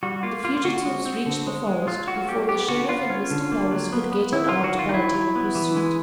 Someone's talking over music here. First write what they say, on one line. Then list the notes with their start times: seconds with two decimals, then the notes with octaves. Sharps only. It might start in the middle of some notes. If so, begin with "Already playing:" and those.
The fugitives reached the forest before the sheriff and Mr. Parris could get an armed party in pursuit.
0.03 G3 F#4
0.23 A#3 F4
0.44 A#3 F4
0.57 F4
0.64 D3 F#4
0.85 G#3
1.05 C4
1.26 D3
1.47 G#3
1.67 G#3
1.87 F#3 F4
2.07 F#3 F#4
2.28 A#3 G4
2.48 B3 G4
2.69 D3 F#4
2.89 B3 F4
3.10 C#4
3.31 D3
3.51 A#3
3.71 F#3
3.92 B3
4.12 B3
4.32 D#3 E4
4.49 D#3 F4
4.64 F#4
4.74 D#3 F4
4.89 D#4
4.94 F#3 E4
5.14 F#3
5.36 B3
5.55 E3
5.76 G#3